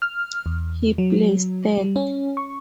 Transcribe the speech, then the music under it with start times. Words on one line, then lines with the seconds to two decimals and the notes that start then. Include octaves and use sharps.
He placed third.
0.02 F6
0.46 E2
0.98 F#3
1.78 G3
1.96 C#4
2.37 C#6